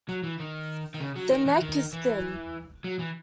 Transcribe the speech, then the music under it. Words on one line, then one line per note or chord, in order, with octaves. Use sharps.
The neck is thin.
F#3
E3
D#3
D#3
C#3
F#3
D#3
E3
D#3
E3
F#3
E3